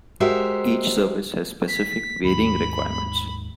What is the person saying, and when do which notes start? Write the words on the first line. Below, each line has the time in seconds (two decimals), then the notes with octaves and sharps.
Each service has specific varying requirements.
0.20 G#3 F#4 G4 A#4 C5 E5
1.68 B6
2.24 D#2 G#2 D#3 B5